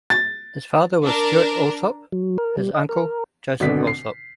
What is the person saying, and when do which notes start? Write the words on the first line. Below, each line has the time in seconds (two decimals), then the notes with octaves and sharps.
His father was Stewart Alsop; his uncle, Joseph Alsop.
0.10 A6
1.03 D4 A#4
2.12 F#3
2.38 A#4
2.57 G3
2.75 D#5
2.89 A#4
3.60 G#1 B2 D3 D5 B6
3.87 C7